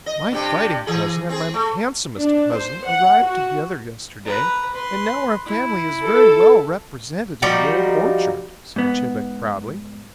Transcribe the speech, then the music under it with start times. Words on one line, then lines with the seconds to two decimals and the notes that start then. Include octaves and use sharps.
"My fighting cousin and my handsomest cousin arrived together yesterday, and now our family is very well represented in the Old Orchard," said Chebec proudly.
0.06 D#5
0.32 G2 C3 G4
0.87 E3 G#4
1.29 C4 G#4
1.54 A3
2.18 D4
2.55 C5
2.88 F#5
3.23 F#4
4.26 B4 A#5
4.74 B4 C6
5.46 E4
6.04 A4
7.42 F3 G3 D#4 F#4
8.76 G#2 B3